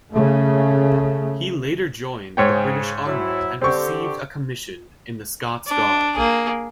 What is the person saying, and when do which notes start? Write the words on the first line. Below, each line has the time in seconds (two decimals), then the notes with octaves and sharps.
He later joined the British Army and received a commission in the Scots Guard.
0.13 C#3 A3
2.37 G#2 C#5 G5
2.54 C#3
3.06 F#3 E4
3.62 D3 C4 G4 C#6
5.66 D4
6.14 A#3 G#4